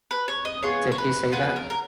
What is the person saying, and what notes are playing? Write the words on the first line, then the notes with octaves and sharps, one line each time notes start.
Did he say that?
B4
C#5
D#5
B3 F4 G#4 C#5
C#5
B4
B3 F4 G#4 B4
A#4
A#4